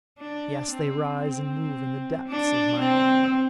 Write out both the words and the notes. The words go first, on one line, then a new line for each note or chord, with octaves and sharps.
Yes, they rise and move in the depths of my memory.
D4
C4
C4
D4
C4